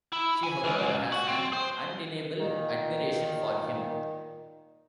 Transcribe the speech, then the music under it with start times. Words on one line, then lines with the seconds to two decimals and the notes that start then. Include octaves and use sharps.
She, however, has an undeniable admiration for him.
0.13 E4
0.43 G#5
0.64 C#2
1.12 F#4
1.28 C4
1.53 C5
2.40 A#2 D#3